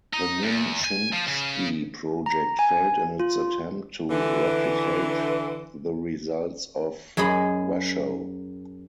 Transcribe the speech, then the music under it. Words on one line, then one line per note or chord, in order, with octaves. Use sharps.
The Nim Chimpsky project failed in its attempt to replicate the results of Washoe.
D#4
E2
G#5
F3
C#3
A#5
G#5
F4
D3 E3
F#2 G#4 D#5 B5